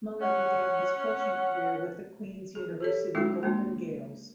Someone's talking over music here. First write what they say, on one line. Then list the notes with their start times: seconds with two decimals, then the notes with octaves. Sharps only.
Muller began his coaching career with the Queen's University Golden Gaels.
0.21 C#4 F#5
2.55 G#4
2.80 G4 A4 C#5
3.15 F#3 G#3 C#4 D#4 E4 F#4
3.43 G#3 A#3 D4